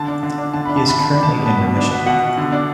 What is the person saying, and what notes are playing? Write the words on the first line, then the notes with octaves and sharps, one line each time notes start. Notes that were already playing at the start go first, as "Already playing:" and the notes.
He is currently in remission.
Already playing: D3 A5
D4
D3
D4
D3 A5
D4 B5
A5
D3 B5
D3 A5
D4 B5
A5
B2
B3 A5
B2
D4
B3
B2 F#5
B2
D3
D4